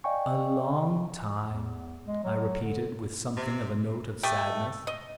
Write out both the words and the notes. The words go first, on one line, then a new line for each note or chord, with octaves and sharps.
"A long time," I repeated with something of a note of sadness.
D5 D#5 F5 G5 G#5 C#6
E2
G#3
F#3
D3
C3
A3 G4 D#5
D#5